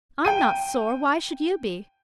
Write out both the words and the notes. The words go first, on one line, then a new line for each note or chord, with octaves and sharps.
I'm not sore, why should you be?
G5 G6 D#7